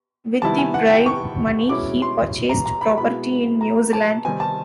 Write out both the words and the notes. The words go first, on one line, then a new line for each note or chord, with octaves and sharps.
With the bribe money, he purchased property in New Zealand.
C3 D#3 G3 B3 E4 A5
G#5
F#5
G5
C#6
B2 G#3 C#4 E4 D6
C6
A#5
A#5
B5
B2 G#3 B3 E4 B5
A#5
A5
C3 D#3 G3 C4 D#4 G#5
A5